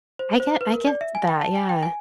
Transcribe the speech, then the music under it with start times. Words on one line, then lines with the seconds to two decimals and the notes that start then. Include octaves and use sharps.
I get I get that. Yeah.
0.19 C5
0.40 C5
0.61 B4
0.73 A#4
0.87 D5
1.01 E5
1.15 G#5
1.29 G5
1.42 A5
1.56 G#5
1.69 G5
1.83 G#5